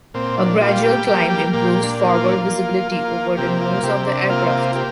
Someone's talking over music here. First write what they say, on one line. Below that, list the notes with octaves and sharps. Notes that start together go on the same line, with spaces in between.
A gradual climb improves forward visibility over the nose of the aircraft.
A#2 C4
D4
G3 F4
G4
A#3 G4
G4
A#2 G4
D4
A#3
F4
D4
F4
A#3
A#3
C3 G4
F4
C3 G4
D4
A#3 F4
A#3 G4